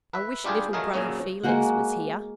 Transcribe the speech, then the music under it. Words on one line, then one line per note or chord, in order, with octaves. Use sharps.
I wish little brother Felix was here!'
B4 E5
G3 D4 F4 G4 G#4
F#3 A3 G#4 A#4 D#5 F5
F#2 A#2 C#3 F#3 C#4
G#3 A#3 F#4 F#5